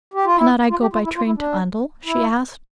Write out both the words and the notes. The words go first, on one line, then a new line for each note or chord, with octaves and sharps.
"Cannot I go by train to Oundle?" she asked.
G4
F4
E4
F4
G4
F4
E4
F4
E4
D4
E4